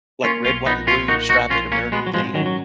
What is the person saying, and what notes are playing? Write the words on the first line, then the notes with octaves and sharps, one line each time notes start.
like, red, white, and blue, striped, American themed.
A#3 C#4 F4
B1 C#4 F4
F3 B3 D#4
A#2 C#4 F4
A#3 D#4 F#4
B1 D#4 F#4
F3 C#4 F4
A#2 A#3 C#4
G#3 B3 F#4
F#3
G#2 F3 G#3
D#3 F#3 C#4
F#3